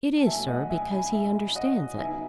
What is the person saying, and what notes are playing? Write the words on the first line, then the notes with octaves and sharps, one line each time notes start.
"It is, sir, because he understands it."
A5
B2 F#3 A3 E5 G#5
D#5 F#5
E5 G#5
G#5 B5
E5 G#5
D#5 F#5
C#3 F#3 B3 D#4 E5 G#5